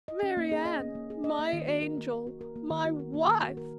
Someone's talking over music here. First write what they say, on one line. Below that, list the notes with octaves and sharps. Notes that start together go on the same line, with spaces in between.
"Mary-Ann! my angel! my wife!"
D#5
C#4
A#3
G#4
D#5
C#4
A#3
G#4
D#5
A#3
D#3
F#4
A#4
A#3
D#3
F#4
A#4
A#3
D#3
F#4
A#4
A#3
D#3
F#4
A#4